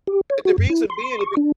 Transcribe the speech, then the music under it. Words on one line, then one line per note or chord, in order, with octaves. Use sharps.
and the reason being it b
G4
C#5
F#4
F#2
E4
C6
C#6
D4